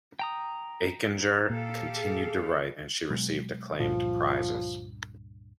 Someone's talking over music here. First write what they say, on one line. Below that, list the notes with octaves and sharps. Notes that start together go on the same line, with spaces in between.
Aichinger continued to write and she received acclaimed prizes.
G5 A#5 D#6
A#2 G4 A4 F5
G#4
B2 F#3 G#3
C#2 G2 A#2 F3